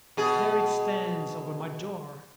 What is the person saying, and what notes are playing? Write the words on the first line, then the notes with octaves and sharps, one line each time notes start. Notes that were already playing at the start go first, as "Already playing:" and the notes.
There it stands over my door.
B2 G#4